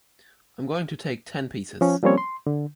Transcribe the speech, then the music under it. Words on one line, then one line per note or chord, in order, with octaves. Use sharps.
I’m going to take ten pieces.
F3 C#4
F3 G3 A#3 C4 C#4 C#5
C6
D3